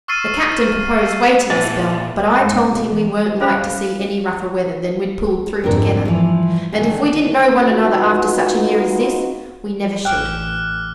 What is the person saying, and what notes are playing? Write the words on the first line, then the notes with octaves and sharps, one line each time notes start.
'The captain proposed waiting a spell; but I told him we weren't like to see any rougher weather than we'd pulled through together, and if we didn't know one another after such a year as this, we never should.
C#6 E6 F6 A6 C7 D#7
A#2 E3 G#4 C5 E5 F#5 A5
G#2
B2
E2
C#4 C5 F5 B5
F1 G#2 D3 C4 D4 A#4
E3 F3 G3
D3 D#3 G#4
G#3 B3 D#4 F4 F#4
A1 G5 D6 F6 F#6